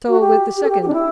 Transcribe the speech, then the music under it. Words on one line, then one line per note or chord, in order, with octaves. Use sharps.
So with the second.
F#4
G4
G4
A4
G4
G4
D4
E4